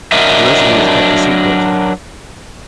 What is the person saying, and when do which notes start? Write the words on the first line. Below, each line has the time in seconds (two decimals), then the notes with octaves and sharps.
The recipe is kept a secret.
0.12 F#3 D4 A#4 D#5 E5